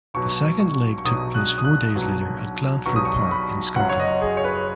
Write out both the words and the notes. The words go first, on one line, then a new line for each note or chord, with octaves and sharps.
The second leg took place four days later at Glanford Park in Scunthorpe.
B1 B2 F#3 C#6
C#6
C#6
B1 B2 F#3 D#6
F#6
D#6
F#6
B1 B2 F#3
B1 B2 F#3 C#6
D#6
C#6
B5
F#1 F#2 F#3 F#5
C#5
D#5
G#4
C#5
B4